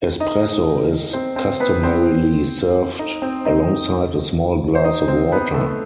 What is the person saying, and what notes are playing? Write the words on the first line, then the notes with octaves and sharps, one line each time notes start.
Espresso is customarily served alongside a small glass of water.
D#4 D#5
C4 C5
C4 C5
B3 B4
C4 C5
D#4 D#5
C4 C5
D#4 D#5
C5
D#4 D#5
C4 C5
B3 B4
A3 A4